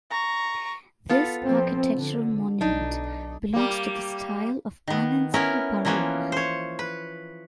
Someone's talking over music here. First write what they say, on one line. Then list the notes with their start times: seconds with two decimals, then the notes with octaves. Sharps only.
This architectural monument belongs to the style of "Anninsky Baroque".
0.11 A#5 C#6
1.09 B3 F4 A4
1.44 F3 C4
1.94 D3
2.61 B1 D4 D#4
3.53 G3 A#3
4.87 D#3 B3
5.34 B3 C#4 E4 A#4
5.85 E3 F3 A#3 B3 C#4
6.32 C5 C#5
6.79 B4